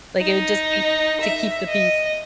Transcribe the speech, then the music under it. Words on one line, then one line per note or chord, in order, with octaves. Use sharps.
Like it would just be to keep the peace.
D#4
E5
D#5